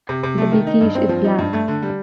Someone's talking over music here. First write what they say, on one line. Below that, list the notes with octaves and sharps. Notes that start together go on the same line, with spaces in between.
The "Bekishe" is black.
C3
C3
A3
D#3
D#4
G2
C4
F3
D#4
G2
A3
D3
G3